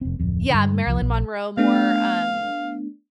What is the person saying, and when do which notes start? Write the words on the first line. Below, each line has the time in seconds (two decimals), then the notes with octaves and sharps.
yeah, Marilyn Monroe more, um,
0.01 F1 C4
0.20 D1 F2
0.50 G2 D3
0.87 C2 F3
1.02 A#1
1.57 A3 B3 D4 F5